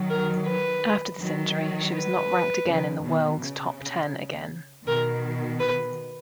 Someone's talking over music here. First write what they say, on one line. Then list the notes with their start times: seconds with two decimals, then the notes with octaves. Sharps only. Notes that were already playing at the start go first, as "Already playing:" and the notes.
After this injury, she was not ranked again in the world's top ten again.
Already playing: D#3 F#3
0.10 A#4
0.46 B4
1.20 D#3 F#3
1.93 B4
2.66 C#3 F3
3.02 B2 D#3
3.40 C#3
4.86 B2 D#3 A#4
5.60 B4